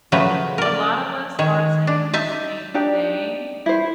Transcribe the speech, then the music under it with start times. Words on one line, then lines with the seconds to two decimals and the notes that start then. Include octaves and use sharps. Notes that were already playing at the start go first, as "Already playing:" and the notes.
a lot of us are saying the same thing,
0.12 C#3 F3 F#3 A3 B4 A#5
0.58 A#4 D5
1.39 D#3 C#5
1.87 D4
2.14 D#4 E5 A5
2.74 D4 D#4 G4 D5
3.66 E4 C5